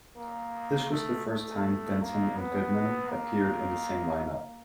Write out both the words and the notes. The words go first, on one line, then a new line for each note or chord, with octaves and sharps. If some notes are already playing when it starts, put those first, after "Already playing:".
This was the first time Denton and Goodman appeared in the same line-up.
A#3
A3
A3
A#3
B3
A#3